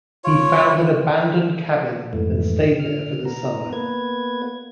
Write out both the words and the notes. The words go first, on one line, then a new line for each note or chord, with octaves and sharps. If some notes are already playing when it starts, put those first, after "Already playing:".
He found an abandoned cabin and stayed there for the summer.
F4 C#5
F2 G#2 E3 A3
D3 F6
B3 A#5
A#3 B3 B4 G#6